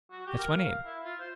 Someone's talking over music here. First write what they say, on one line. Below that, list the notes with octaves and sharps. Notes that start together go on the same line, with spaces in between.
That's my name.
F#4
G4
A#4
F5
E4
F4
C5